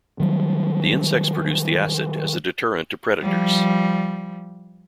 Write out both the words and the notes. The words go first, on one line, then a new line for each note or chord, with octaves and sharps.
The insects produce the acid as a deterrent to predators.
D#3 F#3 G3
F3 G3